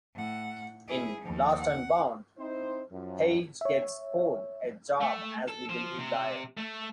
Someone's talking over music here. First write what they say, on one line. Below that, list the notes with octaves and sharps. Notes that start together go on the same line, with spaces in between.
In "Lost and Bound", Paige gets Cole a job as a legal aid lawyer.
A2 F#5
E4 G#4
D#2 F3
F#5
C4 D#4 E4 C5
F#2 F3
C#5 E5
A3
A4
F3
C3
A3